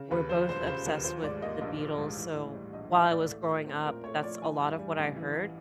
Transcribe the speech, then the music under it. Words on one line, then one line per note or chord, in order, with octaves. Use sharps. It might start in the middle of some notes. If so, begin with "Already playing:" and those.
were both obsessed with the Beatles, so, while I was growing up, that's a lot of what I heard.
Already playing: C#3
D#2 B4
F3 C5
E1 C5
C#3 C5
D#2 A#4
F3 C5
G#2 D5
A#3 D#5
A#1 D#5
F3
G#2
E3
A2
G3
A#1 D#5
E3 E5
A2 D5
A3
F3
C4
A#2 A#4
A3 C#5
F3 D5
E3 G#5
G2
G3
A1
E3